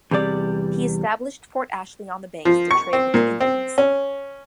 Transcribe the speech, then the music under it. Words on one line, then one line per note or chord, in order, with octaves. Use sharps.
He established Fort Ashley on the banks to trade with the Indians.
E2 C3 G3 D5
F3
C#6
C4
A#2
C4
C#4